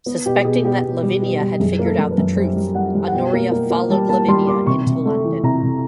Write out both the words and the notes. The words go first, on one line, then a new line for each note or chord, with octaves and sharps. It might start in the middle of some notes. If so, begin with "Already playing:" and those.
Suspecting that Lavinia had figured out the truth, Honoria followed Lavinia into London.
B3
B2 G4
B2 G#4
B2 G4
B2
G3
B2 G4
G3
F#2 G#4
A#3
A4
F#2
B4
F#2
G3 C5
G3
G3 F#5
G3
F#5
B2 G5
A#3
A#3
A#3
G3 A5
A#3 A5
G3 C6
A#3 D6
C3 C#6
C3
A3
E3
C3 A#5
C3